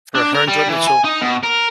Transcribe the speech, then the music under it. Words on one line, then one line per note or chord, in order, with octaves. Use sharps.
for her enjoyment, so,
D4
A#4
G3
E3
G#5
D#4
B2
A#4